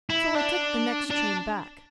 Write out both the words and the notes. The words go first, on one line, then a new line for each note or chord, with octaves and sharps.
So I took the next train back.
E4
D4
D4